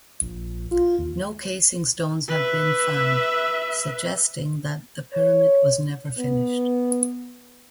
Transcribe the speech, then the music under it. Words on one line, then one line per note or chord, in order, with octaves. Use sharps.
No casing stones have been found, suggesting that the pyramid was never finished.
A#1
F4
D#2
B4 E5
C#5
B3